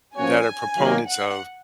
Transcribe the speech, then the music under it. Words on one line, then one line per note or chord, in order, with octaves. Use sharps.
that are proponents of
F3 A#3 C#4 F#4 C#5 G#5
D#3 F#3 A#3
F#5